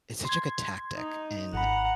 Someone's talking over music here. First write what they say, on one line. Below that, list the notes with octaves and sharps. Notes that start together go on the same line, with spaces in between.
it's such a good tactic in
C6 G#6
D#4
G#1 F#5 A#5 B5